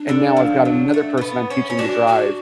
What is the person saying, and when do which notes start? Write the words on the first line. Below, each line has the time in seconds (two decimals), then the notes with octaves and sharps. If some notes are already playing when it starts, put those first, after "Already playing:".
And now I've got another person I'm teaching to drive,
Already playing: D4
0.09 D3
0.37 F3
0.65 F#3
0.94 A3
1.17 A3
1.21 B3
1.50 C#4
1.70 C#4
1.78 D4 F#4
2.07 F#4